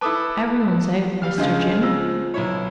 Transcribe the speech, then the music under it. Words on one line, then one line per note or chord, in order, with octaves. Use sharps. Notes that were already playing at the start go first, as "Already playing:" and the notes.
"Every one's out, Mr. Jim."
E4 A4 B4 A5 D6 D#6
G3 F5 F6
C#2 C#3 F3 D4 D#5 F5
F4 C5 E6
B1 E4 C#5